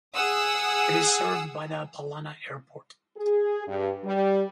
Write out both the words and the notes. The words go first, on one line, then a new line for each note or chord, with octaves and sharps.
It is served by the Palana Airport.
G#4 F#5 D#6 E6
G#4
G2
G3